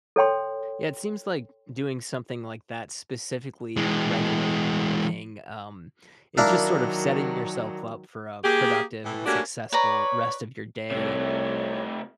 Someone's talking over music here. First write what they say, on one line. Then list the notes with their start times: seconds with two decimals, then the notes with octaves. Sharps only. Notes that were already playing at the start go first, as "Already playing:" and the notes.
Yeah, it seems like doing something like that specifically, right away in the morning, um, is just sort of setting yourself up for a productive and successful rest of your day,
0.16 A4 C#5 G5 C6
3.77 E3 G#3
6.37 D#3 F#3 A#3 D4 E4
8.44 A#3 G4 G#4
9.04 A2 E3
9.26 A3 A#3 C#4 D4 F#4 G4
9.72 B4 C#5 D5 A#5
10.91 C2 C3 A3 C#5